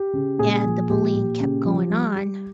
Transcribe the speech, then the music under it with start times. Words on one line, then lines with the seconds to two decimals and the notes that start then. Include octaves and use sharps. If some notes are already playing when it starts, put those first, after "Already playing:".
and the bullying kept going on,
Already playing: G4
0.13 C#3
0.39 A#2 G#4
0.64 F3
0.90 A#2 G4
1.15 A#2
1.40 C#3
1.65 F3
1.90 G3
2.15 G3